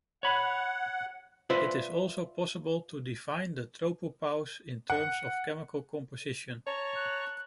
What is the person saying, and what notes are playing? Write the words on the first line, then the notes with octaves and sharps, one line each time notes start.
It is also possible to define the tropopause in terms of chemical composition.
C#5 F#5 B5
F4 B4 C5 D5 E5
F#5
C#5 A5 A#5 C#6
F#6